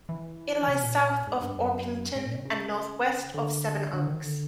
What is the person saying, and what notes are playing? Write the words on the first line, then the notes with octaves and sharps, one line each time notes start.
It lies south of Orpington and north west of Sevenoaks.
E3
C3
A#2
G#2
G2
F#2
G#2
A#2
C3
C#3
D3
D3
D#3
D3